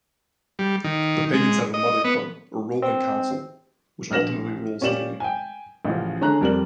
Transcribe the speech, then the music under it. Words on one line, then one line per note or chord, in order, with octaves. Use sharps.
The Pagans have a mother club or ruling council which ultimately rules the gang.
G3
D#3
G#3
D#5
B3
C4
A#1 F6 A#6 E7 F#7
A#2 C#4 G4 D5 E7 F#7
G5 G#5
A1 C#3 F3
D3 C#4 G#4 A#5 F#6
F2 G3 A#4 D5 F#7